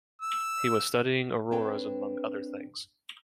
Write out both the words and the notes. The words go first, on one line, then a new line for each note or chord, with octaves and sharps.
He was studying auroras among other things.
E6
C4 D4 A4 B4 C#5 G5